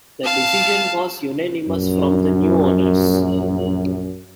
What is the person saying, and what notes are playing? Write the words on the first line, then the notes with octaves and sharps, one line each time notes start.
The decision was unanimous from the new owners.
F5 A5
A#1 F#2